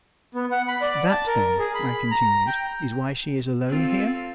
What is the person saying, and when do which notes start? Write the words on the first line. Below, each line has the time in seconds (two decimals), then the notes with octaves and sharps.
"That, then," I continued, "is why she is alone here?"
0.35 B3
0.52 F#5
0.68 B5
0.82 D5
1.10 A5
1.27 A#4
1.59 G#4
1.75 B5
2.12 A#5
2.47 G5
3.68 C4 F4 A4